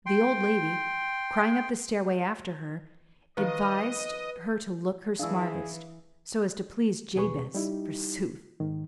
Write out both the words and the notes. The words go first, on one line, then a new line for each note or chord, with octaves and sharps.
The old lady, crying up the stairway after her, advised her to look her smartest--so as to please Jabez, forsooth!
G5 C6
D#3 F3 B4 D#5 F5
E3 D4 E4 G#4 F5 E6
E2 B2 E3 G#4 B4 C#6
G3 D#4 E4 G4
G#2 D#3